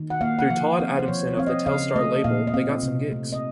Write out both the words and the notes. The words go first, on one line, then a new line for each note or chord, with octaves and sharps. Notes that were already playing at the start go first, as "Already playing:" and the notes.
Through Todd Adamson of the Telstar label they got some gigs.
Already playing: D#3
F#5
A#3 F5
F#5
F3 F5
C4 F5
C5
F3 C#5
C#5
C4 F5
D#5
C#3 F5
A3 D#5
A#2 F5
D#5
C4 F5
C3
A3
D#5